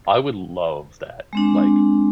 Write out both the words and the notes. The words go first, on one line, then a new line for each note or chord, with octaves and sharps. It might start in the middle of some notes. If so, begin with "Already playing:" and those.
I would love that, like
G#3 C4 D4